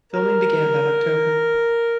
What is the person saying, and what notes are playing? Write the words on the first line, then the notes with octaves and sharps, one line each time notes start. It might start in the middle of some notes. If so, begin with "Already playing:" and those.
Filming began that October.
A#4